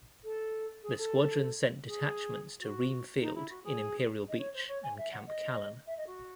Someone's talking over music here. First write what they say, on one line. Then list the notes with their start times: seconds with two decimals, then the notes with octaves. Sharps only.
The squadron sent detachments to Ream Field in Imperial Beach and Camp Callan.
0.23 A4
0.82 G#4
0.97 A4
1.86 G#4
2.60 F#4
3.20 D#4
3.34 E4
3.49 F#4
3.63 G#4
4.28 D#5
4.38 C#5
4.53 C5
4.68 C#5
4.83 G#5
4.97 E5
5.12 F#5
5.27 D#5
5.86 E5
5.97 D#5
6.07 F#4